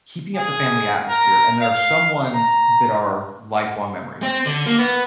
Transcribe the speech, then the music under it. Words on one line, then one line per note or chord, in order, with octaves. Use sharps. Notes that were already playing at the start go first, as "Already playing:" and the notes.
keeping up the family atmosphere, and there are some ones that are lifelong memories.
G#4
A#4
F5
A#5
C4
D3
A#3
B3